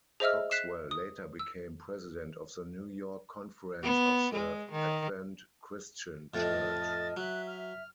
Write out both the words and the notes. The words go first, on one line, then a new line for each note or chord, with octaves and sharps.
Cogswell later became president of the New York Conference of the Advent Christian Church.
G#4 C5 D#5 E5 E6 F6
F#6 B6 C7 E7
D#6
E6
B3
G#3
D#3
F2 A2 D#5 A5 F6 A6
F#3 E5 F#6
F6